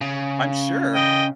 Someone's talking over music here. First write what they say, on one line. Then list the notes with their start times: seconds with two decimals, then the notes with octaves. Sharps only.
I'm sure!
0.01 C#3
0.95 D#5 G5